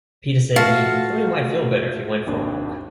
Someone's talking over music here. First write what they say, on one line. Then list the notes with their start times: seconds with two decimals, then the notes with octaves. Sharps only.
Peter said he thought he might feel better if he went for a walk.
0.56 A3 F4 F#4 F5 A5
2.26 G#1 D#2 D4